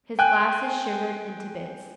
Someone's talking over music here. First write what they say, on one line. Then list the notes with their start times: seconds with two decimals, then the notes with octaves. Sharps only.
His glasses shivered into bits.
0.19 G5 G#5 F#6